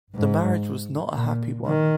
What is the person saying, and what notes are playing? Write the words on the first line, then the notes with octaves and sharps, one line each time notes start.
The marriage was not a happy one.
G#2
A#2
D#3